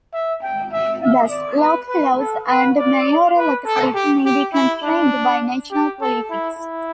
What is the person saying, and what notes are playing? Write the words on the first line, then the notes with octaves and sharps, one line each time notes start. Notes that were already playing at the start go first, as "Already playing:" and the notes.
Thus, local laws and mayoral authority may be constrained by national politics.
E5
G5
E5
E5
D5
B4
B4
A4
B4
D5
B4
A4
G4
G4
E4
D4
G4
A4
E4
E4